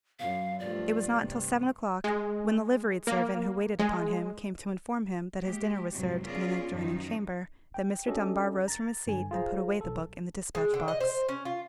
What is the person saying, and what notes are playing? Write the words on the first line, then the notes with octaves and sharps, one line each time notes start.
It was not till seven o'clock, when the liveried servant who waited upon him came to inform him that his dinner was served in an adjoining chamber, that Mr. Dunbar rose from his seat and put away the book in the despatch-box.
F#2 F5
G2 F3 A3 D5
G2 C3
G#3
A#3
G#3
G#3 A#3 G4
F2 G#2 C3 F#3
B3 C#4 F4 G#4 A#4 D5
F#2 D#3 F3 D#4
G5
C#4 D4 F#4 G4 A4 D#5
A#5 A6
G2 D3 G#5
F4 G#4 C5 A#5
B1 A4
G#3
D3
D#5
C5
C#4
F4